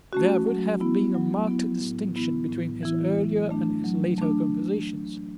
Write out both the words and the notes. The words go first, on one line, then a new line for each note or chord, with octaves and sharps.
There would have been a marked distinction between his earlier and his later compositions.
A3 C#4 F#4
F#3
B3 E4
F#3
B3 E4
A2
E3 B3 E4
A2
E3 B3 E4
F#3
A3 D4
F#3
A3 D4